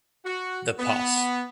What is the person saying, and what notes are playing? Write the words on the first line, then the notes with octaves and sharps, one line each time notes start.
The poss.
F#4
B3